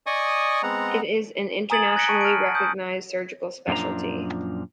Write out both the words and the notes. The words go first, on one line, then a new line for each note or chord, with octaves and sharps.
It is an internationally recognized surgical specialty.
D5 D#5 G#5 C#6 D#6
G#3 B3 C4 F#5 A#5
G#5 A#5 D#6 G#6 A6 F#7
F#6 G#6 A#6 B6 C#7 D7
A5 C#6 D#7
F6 D7
D#6 G6
F#2 A#2 F3 D4 A#5